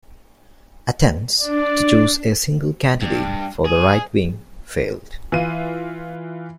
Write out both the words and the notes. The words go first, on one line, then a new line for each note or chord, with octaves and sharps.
Attempts to choose a single candidate for the right-wing failed.
D4 D5
G2
G#4
E3 F4 D#7